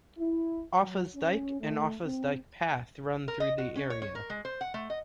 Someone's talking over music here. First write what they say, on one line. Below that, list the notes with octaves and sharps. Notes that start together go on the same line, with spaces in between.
Offa's Dyke and Offa's Dyke Path run through the area.
E4
F#3
C#4
A3
C4
A#4
D#5
F#4
C#4
C#5
C#5
A#4
G#3
C5
F#5
A3
D#5